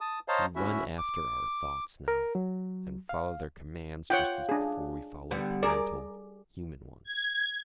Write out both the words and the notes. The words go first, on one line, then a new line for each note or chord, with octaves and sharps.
We "run after our thoughts" now, and follow their commands just as before we followed parental, human ones.
A5 D#6
C5 C#5 D#5 F5 A5 A#5
D2 C#4 E4 F#4 E5
D6
A#4
F#3
F5
F4 C#5 F#5 G5
D4 G#4
D3 G3 B3
G#4 A#4 D5
G#6